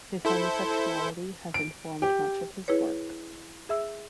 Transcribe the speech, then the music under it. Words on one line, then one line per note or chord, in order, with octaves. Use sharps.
His homosexuality has informed much of his work.
E4 A4 C5
D7
G4
E4 G#4 B4 C#5
G#4 E5 E6